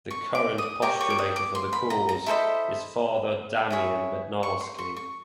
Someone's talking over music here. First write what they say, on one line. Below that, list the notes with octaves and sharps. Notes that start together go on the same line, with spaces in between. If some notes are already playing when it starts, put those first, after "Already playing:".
The current postulator for the cause is Father Damian Bednarski.
C#6
D6
D#6
G4 A#4 C#5 D6
C#6
D6
D#6
D6
C6
B5
A#5
A#5
E4 A4 C5 D#5 B5
E4 G#4 C#5
C#6
C6
C#6
C#6